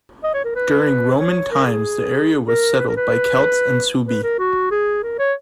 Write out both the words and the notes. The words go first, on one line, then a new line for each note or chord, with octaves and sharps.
During Roman times the area was settled by Celts and Suebi.
D#5
C#5
A#4
B4
C#5
A#4
G#4
A#4
B4
A#4
B4
B4
A#4
F#4
G#4
A#4
C#5